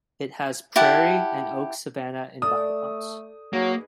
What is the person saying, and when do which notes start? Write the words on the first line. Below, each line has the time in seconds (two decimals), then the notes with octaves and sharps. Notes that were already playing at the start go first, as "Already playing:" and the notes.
It has prairie and oak savanna environs.
0.76 E4 G4 F#5 A5
2.42 A3 A4 D5 D#6
3.53 F#3 A#3 D#4 G#4 B4